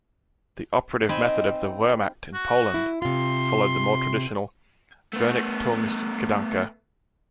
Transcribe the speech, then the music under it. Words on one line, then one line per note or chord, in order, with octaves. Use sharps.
The operative method of the Wehrmacht in Poland followed the more traditional "Vernichtungsgedanke".
C4 D#4 G#5 B5 C6
F#4
E4
C3 F4 C6
A3 B3